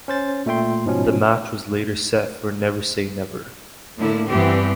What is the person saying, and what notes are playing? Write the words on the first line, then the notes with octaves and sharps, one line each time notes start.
The match was later set for Never Say Never.
C#4 C5 A6
A#2 A3 E5 G5 C6
G#2 B2 F3 C#4
A2 D3 A#3 E4
G2 E3 B3 C4 G4